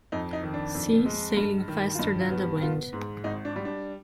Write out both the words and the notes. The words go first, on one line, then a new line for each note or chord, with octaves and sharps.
See "Sailing faster than the wind".
F2 D#4
D#4
D#3
D4
F2
G#3
G2
D#3
F4
G2 D#4
F4
B3
G4
B3 F4
G#2
G#1 D#4
D4
G3
D4